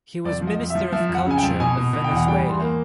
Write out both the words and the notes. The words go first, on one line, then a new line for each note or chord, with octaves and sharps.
He was Minister of Culture of Venezuela.
F2 D5
F3
D#5
F2
E5
F3
F3 E5
F2
F#5
C#3 G#5
G5
F2
B2 G#5
B2
B2
G5
E2
F#5
G3 G5
E2 C6
A#3